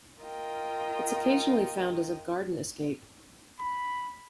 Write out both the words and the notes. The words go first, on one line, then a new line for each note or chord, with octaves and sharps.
It's occasionally found as a garden escape.
F4 A#4 D#5 G5
B5